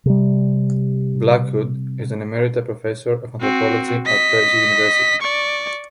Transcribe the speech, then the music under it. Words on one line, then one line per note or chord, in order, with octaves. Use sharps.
Blackwood is an emerita professor of anthropology at Purdue University.
C3 G3
C4 F#4
D#5 B6
D5 C#6